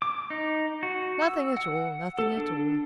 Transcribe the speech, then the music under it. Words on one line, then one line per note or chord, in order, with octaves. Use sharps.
"Nothing at all,--nothing at all."
D6
D#4
F#4
E6
F#5
A4
D4